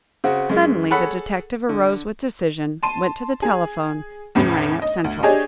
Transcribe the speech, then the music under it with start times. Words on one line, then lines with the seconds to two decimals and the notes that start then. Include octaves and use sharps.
Suddenly the detective arose with decision, went to the telephone, and rang up Central.
0.24 C#3 C4 F#4
0.50 F#2 G#3
0.91 G#4 A4 C#5 F#5 B5
1.69 D3
2.83 A5 C6 D#7
3.42 G#4
4.35 E2 A2 C#3
4.82 D#5
5.04 D2
5.23 D4 G4 G#4 C#5 D#5